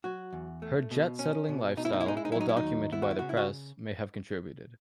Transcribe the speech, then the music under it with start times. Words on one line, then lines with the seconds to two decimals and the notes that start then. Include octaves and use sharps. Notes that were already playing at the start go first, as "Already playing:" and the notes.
Her jet-setting lifestyle, well documented by the press, may have contributed.
0.04 F#3 F#4
0.33 E2
0.62 A3
0.91 B2
1.19 C#4
1.49 B2
1.77 B2 D#4
1.85 E4
1.93 D#4
2.01 E4
2.06 G#3 D#4
2.17 E4
2.25 D#4
2.32 E4
2.36 F#3
2.41 D#4
2.49 E4
2.57 D#4
2.63 D#2
2.92 B3 E4
3.02 F#4
3.11 E4
3.19 C#3 F#4
3.29 E4
3.37 F#4